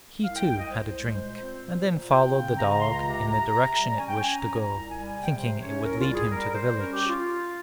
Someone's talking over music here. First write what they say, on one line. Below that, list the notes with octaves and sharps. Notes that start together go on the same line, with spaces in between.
He too had a drink, and then followed the dog in the direction it wished to go, thinking it would lead him to the village.
C2 F5
G5
C2 G5
D#5
C2 C5
G#3
A#2
C4
A#2
A#2
C4 G5
C#3
C#3 A#5
A#5
C#2 C6
A#5
C3
C3
C3
G3
C#4 G#5
G5
C#4 G#5
A#5
A#2
C2
G3 G#5
G#5
C3
G5
C3 C5
C#4 C#5
C2 A#4
F4
G3
G#4
G3 A#4
G3 C5
C#4 A#4
G4
F4